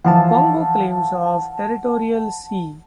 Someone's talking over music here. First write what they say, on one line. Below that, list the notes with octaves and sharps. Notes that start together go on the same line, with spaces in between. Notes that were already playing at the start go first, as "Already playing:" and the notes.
Congo claims of territorial sea.
E3 F3 F#5 A5